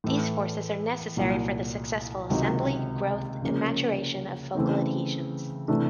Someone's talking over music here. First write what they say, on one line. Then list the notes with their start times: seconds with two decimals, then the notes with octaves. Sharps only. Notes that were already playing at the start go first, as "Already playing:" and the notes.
These forces are necessary for the successful assembly, growth, and maturation of focal adhesions.
0.04 A2 E3 A3
1.17 C2 A#2 F#3
2.29 C#2 C3 D#3 F#3
3.42 C#3 F3 A#3 C#4
4.55 C#3 E3 A3 C4
5.68 C3 E3 A3 D4